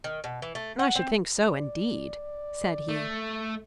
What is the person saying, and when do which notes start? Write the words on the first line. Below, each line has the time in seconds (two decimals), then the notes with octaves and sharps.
"I should think so, indeed," said he.
0.04 D#3
0.24 B2
0.42 E3
0.55 A3
0.79 F#5
0.95 C4
1.51 D5
2.89 A3